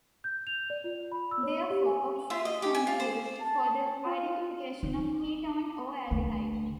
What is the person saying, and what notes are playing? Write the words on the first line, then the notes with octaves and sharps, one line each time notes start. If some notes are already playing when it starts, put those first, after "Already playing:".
Therefore, oximes can be used for the identification of ketone or aldehyde.
G6
F7
D5
F4
B5
E6
C#5
G4
G#5
E5
D#5
G4
G#5
F4
C5
A5
C#4
F4
D#4
D2